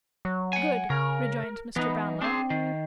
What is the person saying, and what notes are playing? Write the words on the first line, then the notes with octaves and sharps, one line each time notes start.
'Good!' rejoined Mr. Brownlow.
F#3
F#5 G#5
C#3 A#4
E3 B3 D#4
C4 D4 G#4
D#3